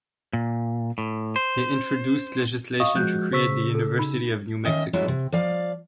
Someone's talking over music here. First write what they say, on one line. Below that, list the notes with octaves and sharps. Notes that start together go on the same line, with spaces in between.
He introduced legislation to create the University of New Mexico.
A#2
A2
C5
D#5 F5 C#6 D#6
F3 G#3 F#4 F#6 G6
C#3 C5 C#6 E6 B6
A4
D#4 B5
D#3 C#4 D#5 E5
F#3 G#3 A3 C#4 E4 F#4
C3
F3 D5 F5